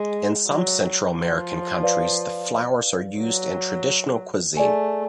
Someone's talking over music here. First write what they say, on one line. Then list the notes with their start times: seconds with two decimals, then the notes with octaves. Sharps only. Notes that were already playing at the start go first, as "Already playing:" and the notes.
In some Central American countries the flowers are used in traditional cuisine.
Already playing: G#3
0.47 F#3
1.15 F3
1.83 B4 D5 F5
3.21 F#3
4.57 A3 G#4 D5 G#5